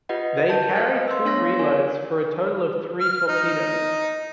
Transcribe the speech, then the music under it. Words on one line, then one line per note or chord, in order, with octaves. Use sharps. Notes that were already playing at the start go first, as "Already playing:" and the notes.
They carried two reloads, for a total of three torpedoes.
F4 G4 B4 D#5 F#5
A#4 A5 G6
A4 B4 C5 D#5 F5
C6 E6
B3 D4 C#5 F5 C6 A#6
A#4 C#5 G#5
F6
D#4